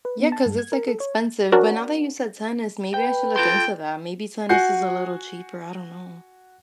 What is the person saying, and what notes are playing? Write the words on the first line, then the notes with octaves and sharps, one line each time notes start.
Yeah, 'cause it's like expensive, but now that you said tennis, maybe I should look into that. Maybe tennis is a little cheaper, I don't know.
B4
B3
A5
G2
G#6
A#4
A4
C#5
C#4 D4 F#4 A#4
B4 G5
F4 A4 G5 C6
F#4 F#5 G#5 G6 C7